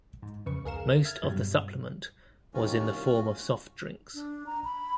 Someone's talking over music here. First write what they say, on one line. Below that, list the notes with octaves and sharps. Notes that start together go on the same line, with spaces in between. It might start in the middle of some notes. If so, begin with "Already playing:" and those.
Most of the supplement was in the form of soft drinks.
G#2
F2 C#3 B4 C#6
C#2 G#4 A#4 F5 E7
E5 F6 G#6 A6
G2 B2 F#3 G3
D#2 C#4 F4 F#4
C2
D4
A#5
B5